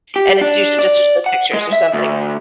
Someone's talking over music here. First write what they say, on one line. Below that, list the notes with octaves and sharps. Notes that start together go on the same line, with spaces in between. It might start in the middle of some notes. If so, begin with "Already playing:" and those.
and it's usually just to show pictures or something.
G4
D4
D5
F#5
G#3
E5
D2